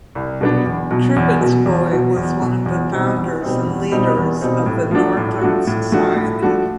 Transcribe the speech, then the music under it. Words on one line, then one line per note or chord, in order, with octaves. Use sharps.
Trubetskoy was one of the founders and leaders of the Northern Society.
C2
B2 F#3 B3 D4
E2
B2 F#3
E2
B2 F#3
E2
B2 F#3
E2
B2 F#3
E2
B2 G3 C4 D#4
E2
B2 G3 C4 D#4
E2
B2 G3 C4 D#4
E2
B2 G3 C4 D#4
A2
F3 A3 D4 F#4
A2
F3 A3 D4 F#4
A2
F3 A3 D4 F#4
A2
F3 A3 D4 F#4